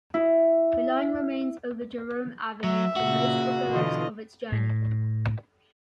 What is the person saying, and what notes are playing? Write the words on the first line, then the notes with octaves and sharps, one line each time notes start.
The line remains over Jerome Avenue for most of the rest of its journey.
E4
F#3 E5
A#2 C#3 F#4
B2 D3 E3 F4 D#5
A2